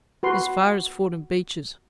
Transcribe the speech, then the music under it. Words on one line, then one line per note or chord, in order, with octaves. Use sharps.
'As far as Fordham Beeches.
F#4 B4 C6